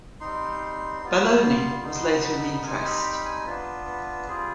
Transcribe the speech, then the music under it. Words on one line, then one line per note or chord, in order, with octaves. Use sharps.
"Baloney" was later re-pressed.
G3 C4 D#4 C6
G3 B3 F4
C6
G3 B3 D#4 C6
B5
G3 C4 D#4 G#5
B5
B5
G#5
B3 D4 F4 B4
B4
G3 C4 F4 G#4